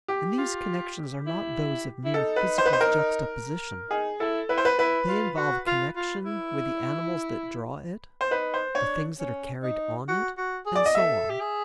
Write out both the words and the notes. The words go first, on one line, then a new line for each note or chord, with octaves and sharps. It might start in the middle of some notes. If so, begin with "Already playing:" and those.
And these connections are not those of mere physical juxtaposition; they involve connection with the animals that draw it, the things that are carried on it, and so on.
G4
F4
E4
E4
D#4 A4
B4
C5
B4
C5
A#4
D#4 G#4
E4 A4
E4 B4
C5
B4
E4 B4
F4
F#4
F4
F4
E4
C5
D#4 B4
C5
D4 C#5
C#4
D#4
F#4
F#4
G#4
D5
D#5
A4 E5
G4
G#4